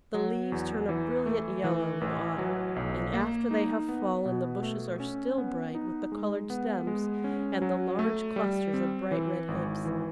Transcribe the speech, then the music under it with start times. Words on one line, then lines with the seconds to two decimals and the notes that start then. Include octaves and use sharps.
The leaves turn a brilliant yellow in autumn, and after they have fallen the bushes are still bright with the coloured stems and the large clusters of bright-red hips.
0.14 F#3
0.52 E2
0.89 E3
1.26 A3
1.64 E3
2.01 A1
2.38 F#3
2.76 B1
3.13 A#3
3.51 D#4
3.89 B3
4.25 B2
4.63 A3
5.00 C#4
5.38 B3
5.75 D#4
6.12 G#3
6.50 B3
6.87 G#3
7.24 C#4
7.62 F#3
7.99 A3
8.36 G3
8.73 C4
9.11 E3
9.48 G#1
9.85 E3